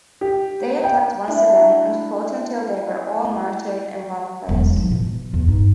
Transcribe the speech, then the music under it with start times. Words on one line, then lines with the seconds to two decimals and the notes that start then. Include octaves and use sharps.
They attacked once again and fought until they were all martyred in one place.
0.21 G4
0.84 G5
1.28 D4 E4
4.49 E1 F#3
4.74 F3 D#4
4.91 B2 F3
5.33 E2
5.47 G2 D#4